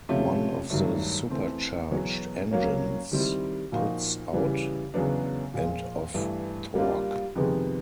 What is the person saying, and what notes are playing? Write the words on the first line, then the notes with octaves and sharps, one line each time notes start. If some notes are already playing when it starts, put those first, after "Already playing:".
One of the supercharged engines puts out and of torque.
C3 F3 A3 C#4
G2 D#3 F#3 A3
E3 A3 C4
E2 B2 F#3 B3
F#3 A#3 C#4
D#3 G3 C4 E4
A#2 F3 A#3 D#4 F#4
C#3 E3 G3
E2 C#3 F#3 B3 D4
A#2 F3 G#3
G2 E3 A3
G3 A#3 D4 F4
F2 C3 D#3 G#3 B3